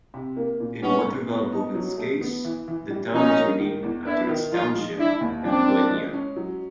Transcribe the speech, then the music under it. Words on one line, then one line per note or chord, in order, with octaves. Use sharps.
In Waterval Boven's case, the town was renamed after its township, Emgwenya.
C3
A#3
A#2
G#3 B3 C#4
G#2
B3
D#4
F#3
A3
B3
E3
E3
G3
F3 C#4 D#4
A#3
D#3
E2
B3 D4 E4
D#3
F3 D#4 F4
G#3
E3 D4 E4
D#2
F3 C4 D4
A#3
G#3
C#4
F#3